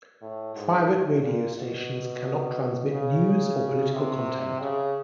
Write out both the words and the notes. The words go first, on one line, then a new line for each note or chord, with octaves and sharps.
Private radio stations cannot transmit news or political content.
A2
G#2
A2
A#2
B2
C#3
C3
C#3